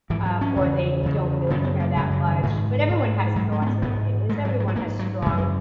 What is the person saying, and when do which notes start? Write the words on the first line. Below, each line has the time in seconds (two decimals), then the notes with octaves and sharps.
um, or they don't really care that much, but everyone has thoughts and opinions, everyone has strong,
0.10 G#2 E3
0.26 F#3
0.41 C#4
0.56 E2
0.61 C#3
1.03 E2 C#3
1.50 F#2 C#3 B3
1.65 B3
1.80 A#3
1.96 F#2 C#3 G#3
2.12 F#3
2.27 D#3
2.43 G#2
2.90 G#2
3.36 G#2 F#3
3.52 G#3
3.62 C#4
3.67 B3
3.82 G#2 B3
4.29 G#2 G#3
4.45 F#3
4.60 F#3
4.68 G#3
4.76 G#2 A#3
4.99 F#3
5.22 F#2 C#3 F#3
5.38 G#3